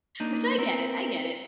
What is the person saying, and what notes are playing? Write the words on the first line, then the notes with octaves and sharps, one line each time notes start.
Which I get it, I get it.
A#3 D4 D#4
B3 C4 A#4